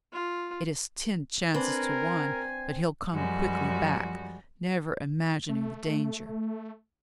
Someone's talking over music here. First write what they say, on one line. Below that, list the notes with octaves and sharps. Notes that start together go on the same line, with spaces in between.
It is ten chances to one but he'll come quickly back, never imagining the danger.
F4
C4 D4 A#4 B4 G#5
F#2 F3 G3 G#3 F#4
A3